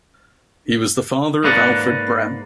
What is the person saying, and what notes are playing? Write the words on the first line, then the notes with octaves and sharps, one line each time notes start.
He was the father of Alfred Brehm.
G#2 A#3 B4 D5 F#5